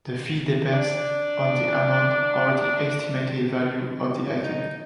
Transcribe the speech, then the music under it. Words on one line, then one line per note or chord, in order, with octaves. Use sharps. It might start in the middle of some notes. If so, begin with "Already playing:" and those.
The fee depends on the amount or the estimated value of the item.
D4
D#4